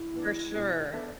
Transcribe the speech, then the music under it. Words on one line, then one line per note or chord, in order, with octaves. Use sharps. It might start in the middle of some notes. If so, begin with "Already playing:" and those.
For sure.
Already playing: E4
E3 B3 D4
B2 G3 D4 G4
B3 D4 A4 D5 E5